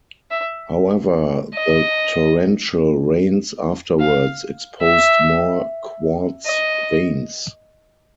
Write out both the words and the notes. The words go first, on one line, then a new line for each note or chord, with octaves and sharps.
However, the torrential rains afterwards exposed more quartz veins.
E5
D#5
F5
E5
D#5